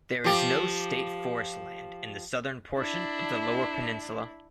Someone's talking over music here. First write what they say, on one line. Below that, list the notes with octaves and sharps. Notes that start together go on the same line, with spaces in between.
There is no state forest land in the southern portion of the Lower Peninsula.
F3 G4
D4 E4